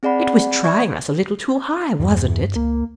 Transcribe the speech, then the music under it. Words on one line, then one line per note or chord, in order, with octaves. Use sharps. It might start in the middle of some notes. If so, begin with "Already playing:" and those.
It was trying us a little too high, wasn't it?
C4 G#4 D5 F#5 B5
D5 E5 C#6 G#6
E2 G2
C#2 A#3